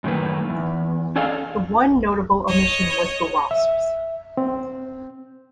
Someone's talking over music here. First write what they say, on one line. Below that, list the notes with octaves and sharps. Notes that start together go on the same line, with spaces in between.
The one notable omission was the Wasps.
F#2 A2 D#3 A#3 B4
E2
C#4 G#4 A4 D5 D#5 F5
C#5 D#5
E5
C4